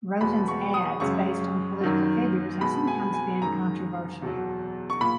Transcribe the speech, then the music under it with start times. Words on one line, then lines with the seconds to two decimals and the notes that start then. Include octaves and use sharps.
Rosen's ads based on political figures have sometimes been controversial.
0.21 E2 B2 G#3 B5
0.48 C#6
0.74 D#6
1.00 F#2 C#3 G#3 C#6
1.81 F#2 D#3 F#3
2.61 B2 G#3 B5
2.87 G#5
3.14 G#5
3.41 F#2 D#3 G#3 A#5
4.22 E2 B2 F#3
4.90 C#6
5.01 A#2 B5